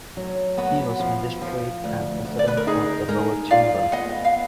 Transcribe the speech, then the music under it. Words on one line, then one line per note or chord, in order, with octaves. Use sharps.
He was magistrate and President of the Lower Chamber.
F#3
B3 F#4
F3
F3
D2
D2
D5
B4
A#4
D#4 G#4
G#3 A#4
F4 D5 F5
B3 D#5 F#5
F5